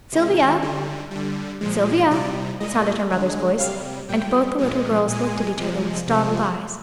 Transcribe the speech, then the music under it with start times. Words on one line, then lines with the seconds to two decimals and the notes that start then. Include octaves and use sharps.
"Sylvia, Sylvia," sounded her mother's voice, and both the little girls looked at each other with startled eyes.
0.12 C3 D#3 G#3
0.62 D3 G3
1.11 D3 G3
1.61 A#2 F3 G#3
2.11 C3 G3 D5
2.60 A#2 G#3 D#5
3.10 D3 G#3
3.59 C3 G3 F5
4.09 A#2 G3 G5
4.59 A#2 F3 G#3
5.08 A#2 G#3 G#5
5.57 C3 F3 G#3
6.07 C3 F3 G#3